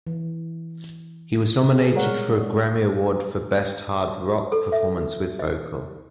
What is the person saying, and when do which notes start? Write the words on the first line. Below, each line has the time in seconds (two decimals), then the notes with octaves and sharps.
It was nominated for a Grammy Award for Best Hard Rock Performance with Vocal.
0.07 E3
1.73 G#4
1.94 G3 G#3 A#4 C#5 F#5
4.52 A4
4.72 E5
5.39 D#5